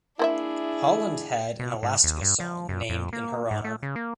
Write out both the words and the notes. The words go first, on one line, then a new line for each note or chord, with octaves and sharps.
Holland had an Elastica song named in her honour.
A#3 D4 E4 G#4 C5 E5
B2
G#2
D#2
G2
F3
F#2
F2
A#3
G#2
A3
C#3
A#3